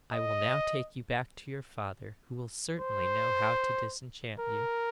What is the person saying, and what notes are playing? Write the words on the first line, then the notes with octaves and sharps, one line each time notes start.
I will now take you back to your father, who will certainly know how to disenchant you.'
D#5
C5
A#4